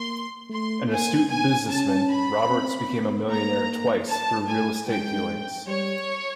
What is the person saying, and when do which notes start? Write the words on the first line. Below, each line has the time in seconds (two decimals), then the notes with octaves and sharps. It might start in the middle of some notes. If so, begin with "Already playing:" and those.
An astute businessman, Roberts became a millionaire twice through real estate dealings.
Already playing: A#3 C6
0.50 A3 C6
0.89 A#3 G#5
1.29 B3 G#5
1.69 C#4 A5
2.09 B5
2.49 C4
2.89 B3
3.28 A#3 A#5
4.08 A5
4.47 A3 G#5
4.87 G#3 G5
5.67 G3 C#5